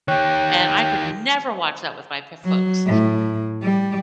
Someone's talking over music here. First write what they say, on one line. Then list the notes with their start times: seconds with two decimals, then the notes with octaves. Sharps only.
and I could never watch that with my p folks.
0.08 D#3 G4 C#5 G5 C#6 F#6
2.45 F#3
2.87 A2
3.62 G3